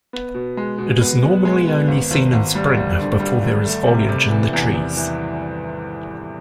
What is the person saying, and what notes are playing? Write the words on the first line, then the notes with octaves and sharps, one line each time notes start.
It is normally only seen in spring before there is foliage in the trees.
B3
B2
G#3
B2
B3
B2
G#3
B3
G#1
G#1
G#1
G3
G3
D3
G3
G#1
A3
C3
C3
E3
E2
E2
E3